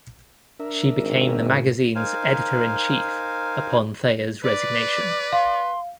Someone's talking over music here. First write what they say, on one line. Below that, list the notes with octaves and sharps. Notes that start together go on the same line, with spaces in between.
She became the magazine's editor-in-chief upon Thayer's resignation.
D4 A#4 E5
G#1
A2
D#4 A#4 C5 F5 G#5
B4 D5
F5 C6